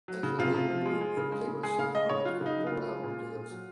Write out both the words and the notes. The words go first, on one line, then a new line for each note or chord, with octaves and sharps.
As the label grew, it was able to sign artists for full album deals.
F#3
C#3
C3 F4
C3
F3
G#3
G#3
C#3
G#3
C#3
G#3 G#4
C#3 F5
G#3 D#5
C#3 C#5
F#3 F4
C#3 D#4
F#3
F4
C#3
G#3
A#2
G#3
A#2
F#3